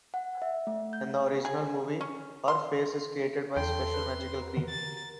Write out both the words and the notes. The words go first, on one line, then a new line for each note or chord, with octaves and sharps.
In the original movie, her face is created by a special magical cream.
F#5
E5
A3
G6
G#4
C#4
C6
E2 A4 G5 C6
B4
F#4 G4 A#4
A6